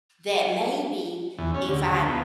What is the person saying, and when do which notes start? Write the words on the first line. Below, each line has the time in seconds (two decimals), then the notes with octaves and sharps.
that maybe if I
1.38 E2
1.55 C#4
1.68 D2
1.87 D2
2.08 B3